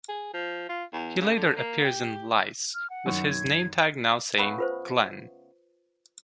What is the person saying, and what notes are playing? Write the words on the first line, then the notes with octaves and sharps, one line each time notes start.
He later appears in "Lice" with his nametag now saying Glenn.
G#4
F3
F4
E2
C#3
D3
A#3
G4
F6
F#5
F#2 D#3 C#6
G#6
C#3 A3 B3
F4 B4 C5